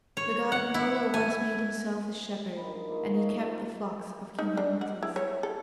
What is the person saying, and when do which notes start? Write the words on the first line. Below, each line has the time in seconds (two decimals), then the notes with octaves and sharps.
The God Apollo once made himself a shepherd and he kept the flocks of King Admetus.
0.17 C#5
0.52 F#5
0.74 E4
1.14 G#5
2.56 G2 D#3 G#3 B5
2.89 F3 A3 A#3 D#4
3.12 C#3 F#3 A3 D#4
3.44 F4 A#4 C5
4.39 D#4
4.57 D4
4.81 F#5
5.03 E4
5.16 C#5
5.43 A4